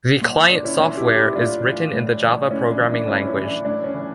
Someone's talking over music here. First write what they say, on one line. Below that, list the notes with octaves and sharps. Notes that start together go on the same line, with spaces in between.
The client-software is written in the Java programming language.
A#2
D4
C#4 E4
A#2 C#4 E4
E4 G4
E4 G4
A2 D4 F4
E3
A2
E3
A2 C#4 E4
D4
E3
D4
A2 C#4 E4
C#4 E4
E3
D4
A2 D4
C#4
E3